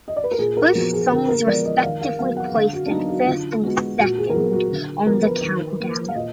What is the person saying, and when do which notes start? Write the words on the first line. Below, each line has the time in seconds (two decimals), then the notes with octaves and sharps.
Both songs respectively placed in first and second on the countdown.
0.08 D#5
0.16 D5
0.24 B4
0.31 A#4
0.39 A#2 G#4
0.57 A#4
0.75 F3 B3 F#4
0.93 G#4
1.11 D3 A#4
1.29 A#4
1.47 F3 G#3 B3 D5
1.66 D#5
1.83 D#3 F5
2.01 F5
2.19 F#3 B3 F5
2.37 F#5
2.55 D3 F5
2.73 F#4
2.86 D4
2.91 F#3 B3 D#4
3.09 F#4
3.27 D3 F4
3.63 G#3 B3 F#4
3.99 A#2 F#4
4.17 G#4
4.30 A#4
4.35 F#3 B3 G#4
4.53 F#4
4.71 D3
5.07 F3 B3 A#4
5.25 B4
5.43 D#3
5.80 A#3
6.09 F5
6.15 A#2 D#5